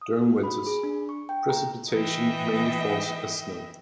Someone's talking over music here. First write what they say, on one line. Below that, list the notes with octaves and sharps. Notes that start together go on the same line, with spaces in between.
During winters, precipitation mainly falls as snow.
D#6
F#4
B5
G#4
D4
C#6
G5
A#5
E3 D#5 E5 G5